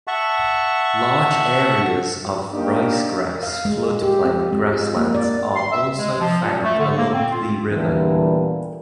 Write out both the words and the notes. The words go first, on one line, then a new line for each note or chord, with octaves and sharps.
Large areas of rice-grass floodplain grasslands are also found along the river.
E5 F#5 A5 C#6
A#3 D4 D#4 G4 A#4
F5
G#3
G4
C4
G#3
F4
A#3
D5
C6
E5
G#3
F3
A#2
A3
D3
A#3
C4
F4
E2 A#2 D3 E3 G3